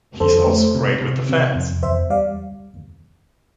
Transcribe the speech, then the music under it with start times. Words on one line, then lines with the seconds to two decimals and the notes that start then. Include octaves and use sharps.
He's also great with the fans.
0.20 F2 A4 C5
0.47 A3
0.75 C3
1.01 C3
1.29 C3
1.55 F2
1.83 E2 C5 E5
2.10 G3 D5 F5